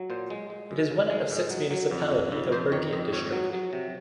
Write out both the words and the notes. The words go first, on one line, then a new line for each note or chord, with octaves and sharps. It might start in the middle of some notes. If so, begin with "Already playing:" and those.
It is one out of six municipality of Bardiya District.
Already playing: F#3
A#2 C5
G#3
G#3
F#2
C#3
G#3
G#2
F#3
F#3
F2
C#3
F2
F2 C5
D#3 C#5
F2 D#5
G#2 C#5
F#3
F#3
C3